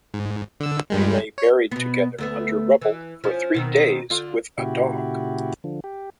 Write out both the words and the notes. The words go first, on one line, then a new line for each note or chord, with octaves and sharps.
They lay buried together under rubble for three days with a dog.
G#2
D3 E6
G2 G3 G#3
C#5
B2 B3
D2 A3 B3
E3
F3 C#4
B2 D#3 C4
D3 F4
A#2 C#3 E4 F#4 G4
D3 F3
G4